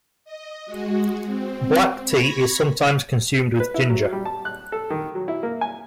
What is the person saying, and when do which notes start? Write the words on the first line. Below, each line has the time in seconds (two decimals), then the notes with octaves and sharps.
Black tea is sometimes consumed with ginger.
0.24 D#5
0.66 G#3 F#4
1.26 C4
2.03 B5 C#6 G#6 A#6 B6
3.60 B4
3.74 E4
3.89 F#3
4.13 G3
4.25 A5
4.45 F#6
4.72 A4
4.90 D#3
5.15 F#3
5.28 E4
5.43 A#3
5.61 G#5